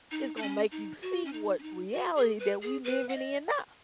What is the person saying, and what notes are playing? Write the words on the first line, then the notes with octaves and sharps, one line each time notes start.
it's gonna make you see what reality that we living in now.
D#4
D#4
C#4
D#4
F#4
C#4
D#4
C#4
D#4
F#4
G#4
B4
G#4
B4
F#5
D#5